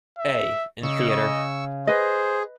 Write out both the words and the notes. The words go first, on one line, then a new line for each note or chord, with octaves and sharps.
A. in theatre.
E5
C#3 D#5 C#6 E6
G#4 B4 C5 D#5